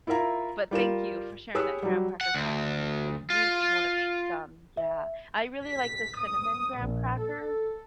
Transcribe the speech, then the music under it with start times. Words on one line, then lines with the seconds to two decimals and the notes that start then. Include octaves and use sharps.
But thank you for sharing that graham cracker crust with me 'cause I really wanna make some. Yeah, I really like the cinnamon graham crackers
0.07 E4 F4 A#4 E5 A#5
0.71 G3 F4 A#4 E7
1.55 G4 G#4 B4 C#5 E6 F#6
1.83 F#3 G3
2.21 F#5
2.34 D2
3.30 F4
4.77 E5
5.64 B6
6.18 D#6
6.77 A#1
7.21 A4